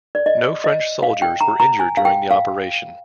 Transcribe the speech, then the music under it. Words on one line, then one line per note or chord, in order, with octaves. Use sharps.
No French soldiers were injured during the operation.
D5
D#5
D#5
F5
G5
A#5
A#5
G#5
F5
G5
F5